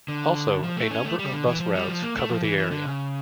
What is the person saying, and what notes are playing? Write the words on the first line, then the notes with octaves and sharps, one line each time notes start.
Also a number of bus routes cover the area.
D3
F3
A3
C#4
A3
G3
D3
E3
F3
G3
F3
A#3
A3
F3
E3
E3
D3
C#3